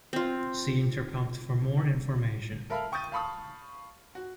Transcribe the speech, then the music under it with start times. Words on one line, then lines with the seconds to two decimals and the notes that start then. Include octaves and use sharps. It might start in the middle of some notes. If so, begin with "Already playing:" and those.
See interpunct for more information.
0.13 C4 F4
2.70 A4 A#4 E5 F5 B5 F6
2.92 G5 C#6 D#6 G6 A6 D#7
3.12 F5 A5 B5 C#6 D#6
4.15 F#4